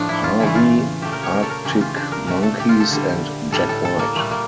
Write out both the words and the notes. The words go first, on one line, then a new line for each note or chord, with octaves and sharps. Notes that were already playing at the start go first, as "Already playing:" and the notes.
Harvey, Arctic Monkeys, and Jack White.
Already playing: A2 F3 A3 D4
E4
F4
C#3 E3 A3 E4
F4
A#2 A3 G4
A#4
C#5
A#4
A4
A#4
C#3 E3 A3 G4
F4
D4
A#4
A#2 A3 A#4
A4
G4
F4
A4
D3 G3
A2 G3 A4
A4
A4
A#3
A#2 G3 A3
A#3